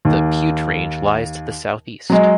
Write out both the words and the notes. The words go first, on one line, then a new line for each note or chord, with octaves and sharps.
The Piute Range lies to the southeast.
D#2
F#3 G#3